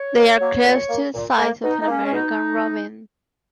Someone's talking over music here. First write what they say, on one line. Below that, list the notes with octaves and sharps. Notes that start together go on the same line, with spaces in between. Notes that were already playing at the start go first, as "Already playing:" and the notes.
They are close to the size of an American robin.
Already playing: C#5
B2
F#3 A#3
A#2
A#3
A#2
A#3
B2 D#4
D#4
A#3 C#4
C#4
B2 D#4